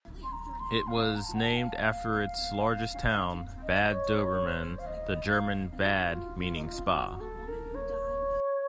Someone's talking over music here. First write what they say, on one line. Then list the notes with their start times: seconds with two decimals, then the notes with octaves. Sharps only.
It was named after its largest town, Bad Doberan, the German "Bad" meaning "spa".
0.23 C6
0.32 A#5
0.60 C6
0.87 F5
1.15 A#5
1.24 A5
1.34 F#5
1.43 A5
1.56 F5
3.63 D#5
3.91 C#5
4.18 C#5
4.45 C5
4.79 F5
4.86 D#5
5.27 F5
5.79 F4
5.82 F#4
6.10 F4
6.38 F4
6.56 D#4
6.65 F4
6.87 F4
6.92 F#4
7.20 A4
7.48 A#4
7.75 C#5